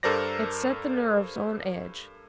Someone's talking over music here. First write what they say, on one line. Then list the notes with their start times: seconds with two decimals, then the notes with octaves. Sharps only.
It set the nerves on edge.
0.03 G2 A4 A#4 C5 D5 A#6